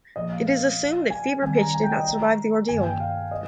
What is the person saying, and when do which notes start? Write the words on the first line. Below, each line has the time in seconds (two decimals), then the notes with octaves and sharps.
It is assumed that Fever Pitch did not survive the ordeal.
0.16 A#2 F3 A#3 D#5
0.32 F5
0.47 F5
1.10 G#5
1.42 D#3 G3 C4 G#5
1.58 A#5
1.74 G#5
1.84 G5
1.95 D#5
2.05 A#5
2.68 G2 D#3 A#3 G#5
2.84 G5
3.00 F5
3.31 D#5